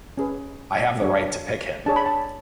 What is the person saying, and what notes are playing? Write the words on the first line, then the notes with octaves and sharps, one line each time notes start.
I have the right to pick him.
C#4 G#4 B4
D4 G#4 C#5
D4 G#4 C#5 A5
B5
A5